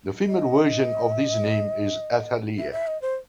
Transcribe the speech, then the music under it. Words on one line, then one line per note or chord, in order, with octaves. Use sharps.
The female version of this name is Athaliah.
D#5
E5
E5
D#5
C5